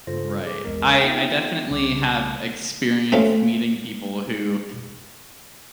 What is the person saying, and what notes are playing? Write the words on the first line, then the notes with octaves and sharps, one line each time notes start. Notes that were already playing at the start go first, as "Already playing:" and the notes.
Right, I I definitely have experienced meeting people who
G2 C#3 F4 A4 C5 A#6
G#4 D6
A#1 E2 G#3 A#4
B3 C4 D#4 F4 E5 G5
C2 C#3 G3 D6
A3 C4 C#4 F4